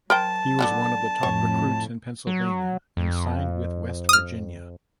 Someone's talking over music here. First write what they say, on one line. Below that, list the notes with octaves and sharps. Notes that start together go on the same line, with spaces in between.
He was one of the top recruits in Pennsylvania and signed with West Virginia.
F#3 A#4 C5 G5 A5
D3 G3 B3
F2 A2 C#5
F#3
F2
D#6 F6